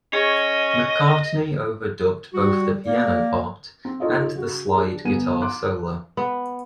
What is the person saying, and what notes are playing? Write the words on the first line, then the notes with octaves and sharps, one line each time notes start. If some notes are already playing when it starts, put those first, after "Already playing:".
McCartney overdubbed both the piano part and the slide guitar solo.
C#4 G#4 C#5 D#5
G3 F#4
A#3 D5
C4
D#4 F4 A4 C#5 D#5
C#3 F#4
D4 G4 G#4
G1 B3 G#5 D#7
C6 D6 F#6
B3